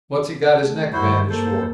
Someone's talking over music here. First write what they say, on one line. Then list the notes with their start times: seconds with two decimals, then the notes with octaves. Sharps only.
What's he got his neck bandaged for?
0.57 A3
0.93 G2 D#3 E4 F#4 C5
1.29 A#3 A4 C5